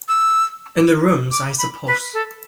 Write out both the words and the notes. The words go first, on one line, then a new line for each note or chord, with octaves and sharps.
In the rooms, I suppose?
E6
D6
B5
B4
A4